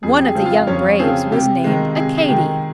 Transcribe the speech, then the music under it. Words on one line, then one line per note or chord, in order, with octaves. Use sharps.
One of the young braves was named Accadee.
F2 G#4
G4
G#4
C#3 F3 C4
F4 F5
F2 C#4 C#5
C#3 F3 C4 G#4
C3 G4
D#3 G#3
C3 G#4
G#4
D#3 G#3 G4